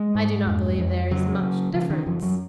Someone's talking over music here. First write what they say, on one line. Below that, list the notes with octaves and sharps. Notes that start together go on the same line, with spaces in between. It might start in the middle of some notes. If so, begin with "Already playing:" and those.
"I do not believe there is much difference."
Already playing: G#3
G#2
F2
F2
C#3 F#3
C#3
C#3 F3
D#3
F#2 F3
F#3